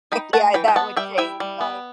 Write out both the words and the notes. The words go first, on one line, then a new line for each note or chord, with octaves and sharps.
yeah, that would change, but
D#4 G5 B5
A3 F#5 A5
E3 G5 B5
G5
B3 F#5 A5
G3 E5 G5
E4 E5 G5
G3
B3